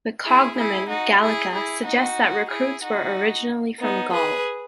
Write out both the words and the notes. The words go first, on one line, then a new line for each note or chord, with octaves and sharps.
The cognomen "Gallica" suggests that recruits were originally from Gaul.
E4 G#4
E4 G#4
D#4 F#4
E4 G#4
E4 G#4
D#4 F#4
E4 G#4
D#4 F#4
B3 D#4
G#4 B4